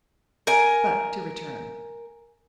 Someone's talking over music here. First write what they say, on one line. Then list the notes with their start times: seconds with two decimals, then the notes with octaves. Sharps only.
But to return.
0.47 A#4 G#5